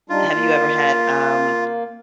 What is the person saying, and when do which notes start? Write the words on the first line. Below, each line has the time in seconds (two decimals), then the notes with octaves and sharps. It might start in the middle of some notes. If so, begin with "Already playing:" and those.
Have you ever had, um,
0.10 G3 D4 D#4 F4
0.35 A#3